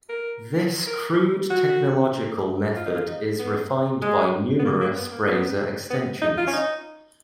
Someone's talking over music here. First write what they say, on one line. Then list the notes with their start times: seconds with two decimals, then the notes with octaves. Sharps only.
This crude technological method is refined by numerous browser extensions.
0.09 A#4
0.87 A#4
1.50 F#4
2.76 F4
2.86 D#4
2.96 F4
3.08 D#4
3.39 B3
4.02 G#3
4.60 B3
4.65 A#3
4.81 A#3
4.97 B3
5.12 A#3
5.28 B3
5.91 B3
6.22 D#4
6.38 F4
6.48 C#4
6.53 D#4